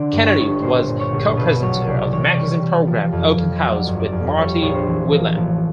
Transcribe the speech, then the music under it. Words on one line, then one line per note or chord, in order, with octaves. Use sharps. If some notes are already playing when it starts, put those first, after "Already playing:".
Kennedy was co-presenter of the magazine programme "Open House" with Marty Whelan.
Already playing: D3 C5 D5
G2
C#5
G1
A#2 C5
A#2
C#5
A#1
B2 B4
F#3 C#5
C2 D5
E3 C#5
D5
C#5
G3
G3
F3
F2
F2
F#3 D5
G1
D5
F2
G3 C#5
A#1 C#5
C5
E3
F3 A#4
A1